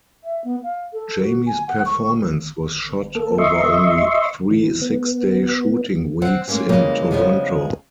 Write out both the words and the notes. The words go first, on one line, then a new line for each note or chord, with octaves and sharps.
Jamie's performance was shot over only three six-day shooting weeks in Toronto.
E5
B3
F5
A4
F#4
G#5
F#5
C#6
A#3 A4
D#5 E5 C6 C#6
E3
B3
C4 F#5
G#3 A#3 C4 C#4 G4
C#3 E3 G3 G#3 A#3
C#3 F3 G3 G#3 B3